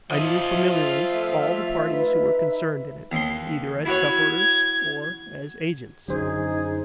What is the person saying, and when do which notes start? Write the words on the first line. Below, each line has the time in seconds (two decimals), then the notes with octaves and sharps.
I knew familiarly all the parties who were concerned in it, either as sufferers or as agents.
0.11 F3 F4 D#5 E5
1.14 A3
1.90 D#4 B4
3.12 D#2 C6
3.85 E4 F#4 C#5 G#6
6.08 F#2 D3 F#3 C#4 D#4 G#4 C5